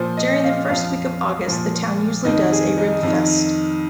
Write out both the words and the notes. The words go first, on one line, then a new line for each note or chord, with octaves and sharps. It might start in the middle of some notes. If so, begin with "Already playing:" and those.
During the first week of August the town usually does a rib fest.
Already playing: A#2 F3 C5
D#5
F5
F2 F3 F5
A#2 F3
F2 D#3 D#5
G#4
D#4
F2 D#3